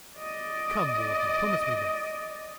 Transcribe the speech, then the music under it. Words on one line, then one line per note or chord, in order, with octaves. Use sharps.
Come, warden, promise me this.
D5 D#5